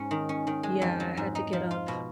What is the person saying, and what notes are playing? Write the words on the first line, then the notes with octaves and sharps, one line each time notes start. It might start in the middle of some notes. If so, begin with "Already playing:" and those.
Yeah, I had to get up
Already playing: G#2 C#4
D#3
C#4
D#3
G#3
F2
F#3
G#2
D#4
F3
F4
B2